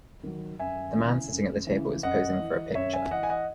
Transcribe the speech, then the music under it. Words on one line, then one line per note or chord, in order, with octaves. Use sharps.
The man sitting at the table is posing for a picture.
D#3 F#3
F#2 E5 G#5
C#3 E3
F#2
C#3 E3
F#2 D#5 F#5
E3
F#2 C#5 E5
E5 G#5
E3 D#5 F#5
G#5
D#5 F#5